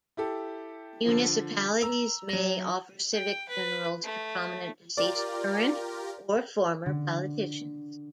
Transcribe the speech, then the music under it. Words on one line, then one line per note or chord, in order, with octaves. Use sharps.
Municipalities may offer civic funerals to prominent deceased current or former politicians.
E4 G4 A4
D3 F3
A#5 E6 F7
F#3 A#6
G5
B4
A3
F4 G4 A#4 D5
D3